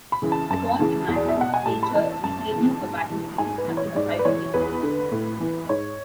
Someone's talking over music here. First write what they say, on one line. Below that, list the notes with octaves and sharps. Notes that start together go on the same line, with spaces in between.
The poem imagines nature reclaiming a battlefield after the fighting is finished.
B5
C#3 E3
A5
F#2 A5
C#3 E3
E2
D5
E5
B2 F#5
G#5
A2 A5
B5
E3 A5
F#2 A5
C#3 E3
G#2
E3
G#2 G#5
B4
E3
C#5
G#2 D5
B4
E3 C#5
E2 B4
D3
A2
E3
G#2 C#5